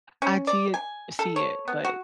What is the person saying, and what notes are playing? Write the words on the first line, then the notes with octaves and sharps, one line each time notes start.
I did see it but
C#4
D5
G#5
A4
C#5
B3
F#4